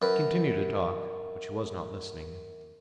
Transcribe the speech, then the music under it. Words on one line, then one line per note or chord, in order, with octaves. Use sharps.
He continued to talk, but she was not listening.
F#2 B4